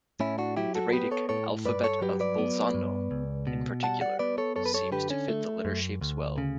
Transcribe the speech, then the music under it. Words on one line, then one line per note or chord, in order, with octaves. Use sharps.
The Raetic "alphabet of Bolzano" in particular seems to fit the letter shapes well.
A2 C#4 E4
D4 F#4
F#3 E4 G4
F#4 A4
B3 G4 B4
A4 C#5
A2 A4 C#5
G2 B4 D5
A4 C#5
F#3 G4 B4
B4 D5
B3
G2
C#2
B2
G3 F#5 A5
D5 F#5
B3 B4 D5
A4 C#5
F#2 A4 C#5
B4
A4 C#5
D3 G4 B4
C#4
A3
F#2
D2
C#3